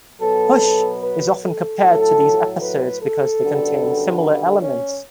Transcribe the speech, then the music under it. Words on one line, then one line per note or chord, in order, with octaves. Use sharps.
"Hush" is often compared to these episodes because they contain similar elements.
B2 F#3 B3 A4
B4
A4
A2 F#3 A3 A4
B4
A4
F#2 D3 G3 B3
A4
C#4